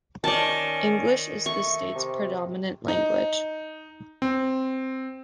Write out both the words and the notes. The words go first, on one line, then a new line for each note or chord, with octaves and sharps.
English is the state's predominant language.
D#3 C#4 D5 A5
A3 C#6
C3
D#4
C4